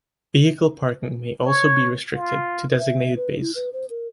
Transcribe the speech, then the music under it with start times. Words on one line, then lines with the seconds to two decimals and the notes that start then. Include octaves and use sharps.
Vehicle parking may also be restricted to designated bays.
1.46 C#5
2.14 F4
2.79 E5
3.16 B4
3.39 E4
3.55 B4
3.73 C5
3.90 A#4